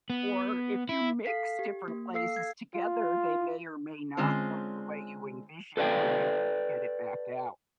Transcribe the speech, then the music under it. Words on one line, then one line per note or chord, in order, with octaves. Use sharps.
Or if you mix different glazes together, they may or may not look the way you envisioned when you get it back out.
B3
E4
A4 F5 B6 C7
G4
A#3
A4 F5 E6 C7
G#6
F4
D3 G#3 C4 C#4 F4 C5
A4 B4 D5 F5 G5